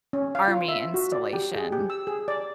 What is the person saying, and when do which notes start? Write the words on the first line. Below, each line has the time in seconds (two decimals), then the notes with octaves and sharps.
Army installation.
0.13 C#4
0.35 F5
0.48 F4
0.68 E5
0.94 F#4
1.12 D5
1.33 G4
1.56 G#4
1.72 G4
1.90 E6
2.07 G#4
2.28 D5